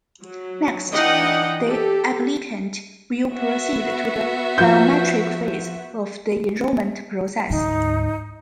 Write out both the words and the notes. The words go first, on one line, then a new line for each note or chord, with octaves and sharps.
Next, the applicant will proceed to the biometric phase of the enrollment process.
F#3
E3 D4 D#4 D#5 F#5 G5
G4 A4
B3 F#4 E5
F3 G6
D2 G#2 D#4